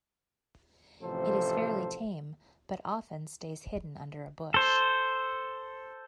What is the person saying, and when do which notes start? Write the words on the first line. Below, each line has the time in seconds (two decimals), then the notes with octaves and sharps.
It is fairly tame, but often stays hidden under a bush.
1.02 A1 C3 F3 C4 A4 C5
4.54 A4 C5